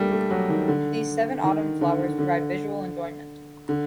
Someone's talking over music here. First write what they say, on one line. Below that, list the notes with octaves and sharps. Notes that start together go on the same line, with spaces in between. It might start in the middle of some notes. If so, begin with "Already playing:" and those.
These seven autumn flowers provide visual enjoyment.
Already playing: G3 A3 A#3 D4
A3
F#3
D#3
D3
D#3
D3
D3
D3